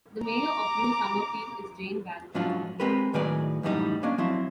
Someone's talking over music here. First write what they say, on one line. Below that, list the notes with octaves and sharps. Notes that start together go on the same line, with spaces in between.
The mayor of New Summerfield is Jane Barrow.
A#5 D6
G#2 F3 F#3 C#4 D4 F4
G#3 C4 G4 A#4 B4
A2 D#3 F#3 G#4 B4 D5
F#2 A2 E3 G3 D#4
A#3 C#4 D4 D#5
F3 F#3 C4 E4